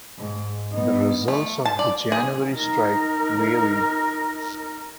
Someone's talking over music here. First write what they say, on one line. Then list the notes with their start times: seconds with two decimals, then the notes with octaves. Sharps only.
The results of the January strike varied.
0.18 G#2
0.73 B3 D#4
1.28 A3
1.65 A5
1.79 D5
2.12 G#4
2.54 D#4 A#4